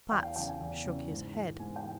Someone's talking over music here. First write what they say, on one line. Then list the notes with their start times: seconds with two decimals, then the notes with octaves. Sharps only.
Platts shook his head.
0.11 E2 G5
0.24 F5
0.36 C#3 E3 G5
0.48 G#5
0.61 E2
0.86 C#3 E3
1.10 G#2
1.34 E3
1.59 G#2 G#5
1.76 G5
1.84 E3